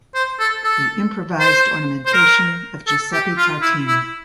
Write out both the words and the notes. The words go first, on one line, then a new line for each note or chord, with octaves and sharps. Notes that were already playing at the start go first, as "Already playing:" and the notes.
The Improvised Ornamentation of Giuseppe Tartini.
C5
A4
A4
C5
C5
A#4
A4
G4
F4
E4
E4